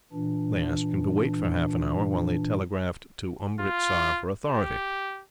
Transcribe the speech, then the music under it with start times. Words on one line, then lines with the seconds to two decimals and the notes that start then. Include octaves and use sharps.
They asked him to wait for half-an-hour, while they telegraphed to Umritsar for authority.
0.13 A#2 E3 D4
3.60 F4
4.47 G4